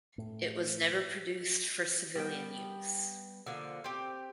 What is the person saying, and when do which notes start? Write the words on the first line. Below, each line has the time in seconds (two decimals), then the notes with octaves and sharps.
It was never produced for civilian use.
0.18 A2
2.15 G3 B3 G5
3.46 D3 F3 A#3
3.84 C4 G4